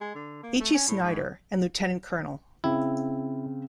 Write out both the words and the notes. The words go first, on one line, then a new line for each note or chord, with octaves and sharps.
H. E. Snider and Lieut-Col.
G#3
D3
A#3
A3
C#4
A2
G#2
C#3 C4 E4